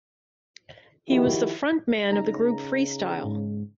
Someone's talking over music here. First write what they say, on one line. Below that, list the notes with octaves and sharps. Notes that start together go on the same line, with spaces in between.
He was the frontman of the group Freestyle.
D#3 F3 E4 F#4 G4
C#3 D#4 A#5
G#2